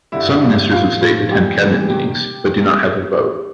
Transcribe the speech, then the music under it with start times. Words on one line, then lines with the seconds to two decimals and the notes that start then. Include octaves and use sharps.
Some Ministers of State attend cabinet meetings but do not have a vote.
0.12 G2 D3 G3 E4 E5
0.42 G2 D3 G3
0.71 A2 F3 F4 F5
1.01 A2 F3
1.31 G#2 E3 G3 G4 G5
1.61 G#2 E3 G3
1.90 C3 D#3 G3 G4 G5